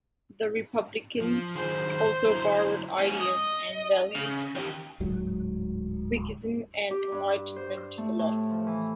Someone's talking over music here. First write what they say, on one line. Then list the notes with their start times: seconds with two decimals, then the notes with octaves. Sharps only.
The republicans also borrowed ideas and values from Whiggism and Enlightenment philosophers.
1.21 F3
1.55 D#3 F#3 G#4 C5
2.26 F#3 E4 A#5
2.98 G#2 C#4
3.20 D#5
4.15 C#3
4.55 D#3 G4
5.00 D1 G#2 F#3
6.91 G4
7.12 G2
7.56 C5
7.98 A3
8.19 A2
8.50 F3
8.67 E3